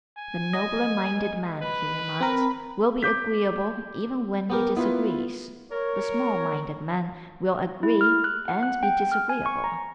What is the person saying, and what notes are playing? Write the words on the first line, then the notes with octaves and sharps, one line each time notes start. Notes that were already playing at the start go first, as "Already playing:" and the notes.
"The nobler-minded man," he remarked, "will be agreeable even when he disagrees; the small-minded man will agree and be disagreeable."
G#5
D#5
B4 B5
C4 A#4 B5
D6 G6 B6
B3 G4 A#4
B3 E4 F4 B4
A#4 C#5
E4
F6
F#6
F#5
F#6
G5
F6
G#5
C#6
A#5